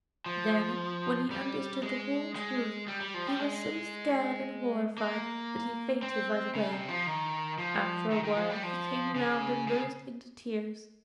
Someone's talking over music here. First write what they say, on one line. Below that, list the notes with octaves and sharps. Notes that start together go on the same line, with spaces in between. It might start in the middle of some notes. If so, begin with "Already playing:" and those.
Then when he understood the whole truth he was so scared and horrified that he fainted right away. After a while he came round and burst into tears.
F3
G3
G#3
G#3
G3
G3
F3
G3
G#3
A#3
C4
C#3
C3
F3
D#3
F3
D#3
D#3
F3
G3
F3
C#3
C#3